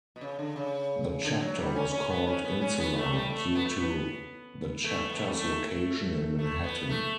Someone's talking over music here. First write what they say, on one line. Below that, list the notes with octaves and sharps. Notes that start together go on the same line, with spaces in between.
The chapter was called "Insula" due to the chapter's location in Manhattan.
B2
C#3
D3
C#3
D3
F#3
G3
C#4
C#4
B3
C#4
B3
C#4
B3
A3
G3
A3
B3
A3
B3
A3
B3
A3
G3
A3
A3
B3
A3